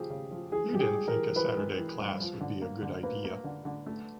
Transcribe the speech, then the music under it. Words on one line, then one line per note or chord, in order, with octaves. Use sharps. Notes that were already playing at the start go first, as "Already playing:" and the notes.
You didn't think a Saturday class would be a good idea.
Already playing: C#3 F3 G4 G#4
C#3
F3
E3 G#4
G2 G4
G#4
G#3
A#4
E3
E3 B4
G#3
E3
G2
F3
D3
A#3
D3
A#3 B4
A#3
D3
D3
A3